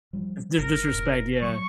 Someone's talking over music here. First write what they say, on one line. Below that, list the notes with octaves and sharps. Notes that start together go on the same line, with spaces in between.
If there's disrespect, yeah.
F3 G3
G1 A#4
F1 A#2
F#3 C#6